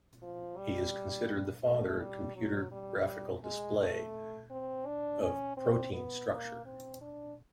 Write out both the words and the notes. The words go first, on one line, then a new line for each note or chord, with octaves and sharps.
He is considered the father of computer graphical display of protein structure.
F3
G3
A3
G3
F#3
G3
G#3
A3
C4
D4
C#4
C4
B3
A#3
C4
D4